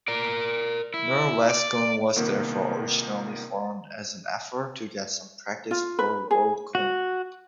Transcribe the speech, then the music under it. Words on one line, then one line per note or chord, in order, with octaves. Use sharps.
Norwescon was therefore originally formed as an effort to get some practice for Worldcon.
A#4 D5
E4
D5
C2 A#2 D#3 A#3 B3
F4
B4
G#4
F#4